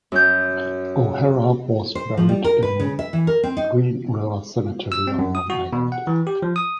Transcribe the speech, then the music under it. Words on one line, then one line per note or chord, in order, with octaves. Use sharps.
O'Hara was buried in Green River Cemetery on Long Island.
F#2 G6
C5
F3
G3
A#4
B4
C#3
E5
E3
A#4
C4
D#4
E6
C4
F#2
D#6
F#4
B2
F#5
E3
G4
F3
D#6